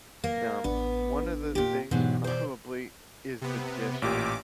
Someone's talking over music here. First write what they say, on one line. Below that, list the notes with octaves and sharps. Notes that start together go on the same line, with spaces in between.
n um, one of the things probably is the dishes,
A#3 A#4
A1 B3 D4
A#2 G4
G#2 B2 E3 F#3 B3 G4
C5 D5
C3 B3
A1 A#2 G4 D6